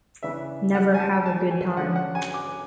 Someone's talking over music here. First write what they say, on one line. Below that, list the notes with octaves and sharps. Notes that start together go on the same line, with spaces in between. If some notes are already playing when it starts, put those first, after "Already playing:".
Never have a good time.
C#3 E3 B3 D4 E5
F#5
G#5
A5
A5
G#5
D3 G#3 C#4 F#5
F#5
G#5
D6